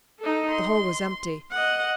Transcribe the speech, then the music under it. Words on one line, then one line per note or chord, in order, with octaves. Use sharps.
The hole was empty.
D#4 A4
C6
D#5 F#5